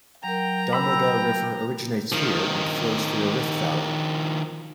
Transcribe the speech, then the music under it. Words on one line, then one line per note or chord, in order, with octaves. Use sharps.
Damodar River originates here and flows through a rift valley.
F#3 A#4 G5 A#5
G5 B5 E6
D#3 F3